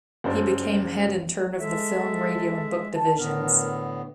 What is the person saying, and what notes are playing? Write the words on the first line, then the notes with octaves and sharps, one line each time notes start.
He became head in turn of the Film, Radio and Book divisions.
F#1 F#2 D4 C5 D5
G#3 A4 E5
A5
A2 D3 B3 A#4